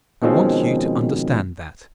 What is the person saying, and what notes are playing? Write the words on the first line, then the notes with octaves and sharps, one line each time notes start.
I want you to understand that.
B2 D#3 F3 G#3 C4 C#4